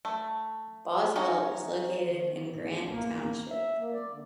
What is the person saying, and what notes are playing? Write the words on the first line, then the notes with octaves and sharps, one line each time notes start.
Boswell is located in Grant Township.
A3
C#4 D#4 F#4
D#3
A2
A#3
E5
A#3
D5
D3